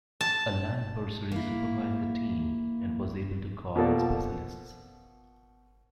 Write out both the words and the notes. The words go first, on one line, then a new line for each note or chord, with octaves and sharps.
Alan Borsari supervised the team and was able to call in specialists.
A5
A#3 E4
B2 F3 A#3 A4 D5